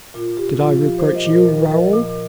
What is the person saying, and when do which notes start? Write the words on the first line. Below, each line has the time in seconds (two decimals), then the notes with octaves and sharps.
"Did I reproach you, Raoul?"
0.14 A#2 F4
0.37 A#2 G4
0.59 F3 F4
0.81 F3 G4
0.98 C5
1.04 A#2
1.15 D#5
1.26 A#2
1.32 A#4
1.48 F3 A#4
1.71 F3 D#5
1.93 A#2